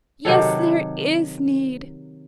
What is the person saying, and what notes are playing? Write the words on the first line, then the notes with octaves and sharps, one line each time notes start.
"Yes, there IS need!"
C3 D#3 F#3 A4